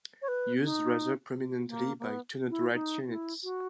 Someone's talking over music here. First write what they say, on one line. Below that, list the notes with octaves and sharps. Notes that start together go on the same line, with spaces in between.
Used rather prominently by 'Tunnel Rat' units.
C#5
B4
D#4
A#3
A#3
B3
E4
D#4
E4
F#4